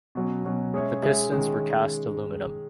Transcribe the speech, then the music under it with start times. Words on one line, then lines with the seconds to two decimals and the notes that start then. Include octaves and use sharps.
The pistons were cast aluminum.
0.15 B2 F#3 C#4
0.44 B2 F#3 C#4
0.74 G#3 C#4 G#4 C#5 E5
1.03 G#3 C#4 G#4 C#5 E5
1.32 D#3 G#3 C#4